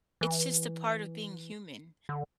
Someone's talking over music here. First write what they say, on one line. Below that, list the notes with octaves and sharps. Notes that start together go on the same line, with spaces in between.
it's just a part of being human,
E3
D3